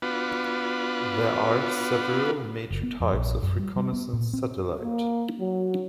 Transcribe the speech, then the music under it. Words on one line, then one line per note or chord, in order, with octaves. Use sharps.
There are several major types of reconnaissance satellite.
B3 D4 F4 F#4 B4
F#1
B3
F2
A#1
F#2
G3
G3
B3
A#2
C4
A#3
F#3